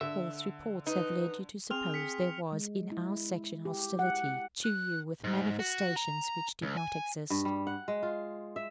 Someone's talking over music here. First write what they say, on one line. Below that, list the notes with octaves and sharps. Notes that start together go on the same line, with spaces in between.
False reports have led you to suppose there was in our section hostility to you with manifestations which did not exist.
D3 E5
D#4 B4
C4 G#4 F6 F7
B6 C#7
G#3
E4
G4
F#5
F#6
G#2
F#4
A#5
C#2
G#5
G2
G3
F#5
G#3
F4
E5